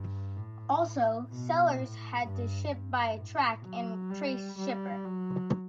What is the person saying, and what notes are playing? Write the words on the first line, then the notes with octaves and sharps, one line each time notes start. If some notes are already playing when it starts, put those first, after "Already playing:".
Also sellers had to ship by a track and trace shipper.
Already playing: G2
A2
B2
A2
G2
G2
A2
F#3
G3
G3
F#3